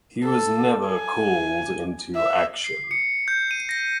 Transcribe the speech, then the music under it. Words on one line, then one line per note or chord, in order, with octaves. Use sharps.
He was never called into action.
A4
G#5
E5
C7
C#7
G6
D#7
A#6